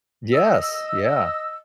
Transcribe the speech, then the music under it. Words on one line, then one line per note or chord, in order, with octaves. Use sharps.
yes. Yeah.
D#5 E6